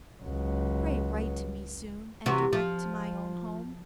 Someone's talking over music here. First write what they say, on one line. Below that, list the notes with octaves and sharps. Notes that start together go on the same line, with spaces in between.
Pray write to me soon, and direct to my own home.
C#2 F#3
C3 E3 F#4
F3